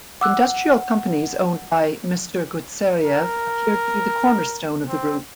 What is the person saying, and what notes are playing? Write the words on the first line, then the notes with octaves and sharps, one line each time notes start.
Industrial companies owned by Mister Gutseriev appeared to be the cornerstone of the Group.
F#5 D6 E6 F#6
A#4
C4